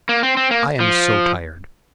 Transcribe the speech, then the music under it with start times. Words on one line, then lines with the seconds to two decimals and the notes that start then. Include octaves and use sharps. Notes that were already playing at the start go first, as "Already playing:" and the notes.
I am so tired.
0.09 A#3
0.23 C4
0.37 C4
0.51 A#3
0.80 F3